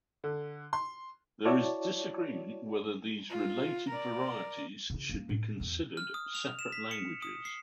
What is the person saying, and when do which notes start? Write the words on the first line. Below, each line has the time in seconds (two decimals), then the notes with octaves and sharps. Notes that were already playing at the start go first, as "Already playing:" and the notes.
There is disagreement whether these related varieties should be considered separate languages.
0.24 D3
0.73 C6
1.45 E4 F#4 C#5 D5 A5
3.30 F4
3.89 A#4 D5
4.90 C#3 E4
5.09 A#3 C#4
5.29 A2
5.60 E2 D#4
5.97 F6
6.14 D#6
6.35 F7
6.59 E7
6.72 B6
6.91 C#7
7.22 D#6
7.45 C7